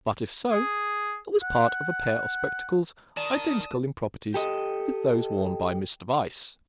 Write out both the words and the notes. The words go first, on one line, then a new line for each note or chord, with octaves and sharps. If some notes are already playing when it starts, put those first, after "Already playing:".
But, if so, it was part of a pair of spectacles identical in properties with those worn by Mr. Weiss.
G#4
F#5
D#3 D5 A5 D#6
G4 A4 D#5